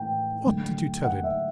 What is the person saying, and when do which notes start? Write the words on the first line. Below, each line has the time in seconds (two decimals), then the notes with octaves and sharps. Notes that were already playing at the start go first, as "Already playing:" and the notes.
"What did you tell him?"
Already playing: A2 E3 A3 G5
0.46 D3 F#3 A3
1.04 F#5
1.23 E5